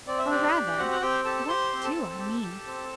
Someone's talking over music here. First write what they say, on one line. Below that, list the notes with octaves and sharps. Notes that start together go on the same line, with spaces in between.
Or, rather, what do I mean?
C4 D5
E5
D4 G4 D5
G4
G5
C4 F#4 F#5
F#5
C4 G4 G5
G4 A4 A5
G4 C5 C6
C4
A4 A5
C4
G4
G4
C4